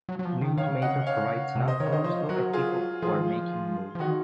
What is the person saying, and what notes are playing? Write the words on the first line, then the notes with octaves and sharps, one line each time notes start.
"Newsmaker" provides an up-close look at people who are making news.
F#3
F#3
F3
D#3
D#3 C#5 F5
C#3
C3
C#3 D#5 F#5
C#5 F5
C3
C5 D#5
D#3 A#4 C#5
C#3
D#3 C5 D#5
F3 C5 D#5
F#3 F#4 A#4
F4 G#4
F3 F4 G#4
D#3
F3
F3
D#3 D#4 F#4